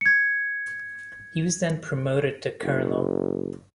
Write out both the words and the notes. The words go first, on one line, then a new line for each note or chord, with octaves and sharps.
He was then promoted to colonel.
G#6 C#7
F#1